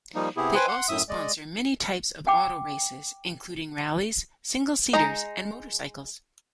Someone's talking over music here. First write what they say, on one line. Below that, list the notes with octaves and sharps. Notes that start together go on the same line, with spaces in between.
They also sponsor many types of auto races including rallies, single-seaters, and motorcycles.
F3 G3 A#3 D#4
C3 B3 E4 G4 G#4
B4 C5 G5 G#5
F#5 C6
F#2 A2 E5 D#6
G#3 D5 D#5
F#5 G5 D6
G#3 D#4 A#5